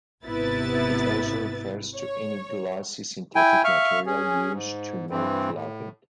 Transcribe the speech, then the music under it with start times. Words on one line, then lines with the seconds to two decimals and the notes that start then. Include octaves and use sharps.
It also refers to any glossy synthetic material used to make clothing.
0.24 G#1 C3 B3 E4 B4 A6
1.96 C#5
3.35 E4 G5 G#5
3.64 E5 F5 C#6 F6
4.06 C#4 G#4
4.53 G#2
5.10 G2 E3 C4
5.53 A2